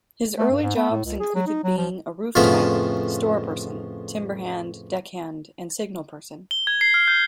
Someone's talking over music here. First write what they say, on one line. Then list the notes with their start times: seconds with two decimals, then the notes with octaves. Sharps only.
His early jobs included being a roof tiler, storeperson, timberhand, deckhand, and signalperson.
0.38 A3
0.50 G2
0.62 G#2
0.76 B3
0.91 A2
1.05 C#2
1.20 G#4
1.35 F#3
1.47 D#4
1.64 F#3
1.77 F3
2.35 F2 A2 C#3 B3 F4
6.51 G7
6.67 G#6
6.81 C7
6.94 F6
7.08 G6